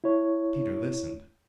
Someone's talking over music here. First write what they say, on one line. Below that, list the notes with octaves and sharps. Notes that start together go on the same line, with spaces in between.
Peter listened.
E4 C#5